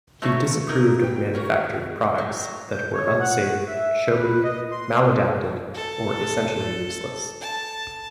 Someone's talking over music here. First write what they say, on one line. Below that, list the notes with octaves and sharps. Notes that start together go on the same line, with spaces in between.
He disapproved of manufactured products that were unsafe, showy, maladapted, or essentially useless.
A3 A#3 F4 F#4 B4 C#5
A#3 D#4 A#4
B3 G5
F#4 A#4 C#5
A2 F#3
G6
C#5
F#5
E5
B4
D#5
C6
A4
A5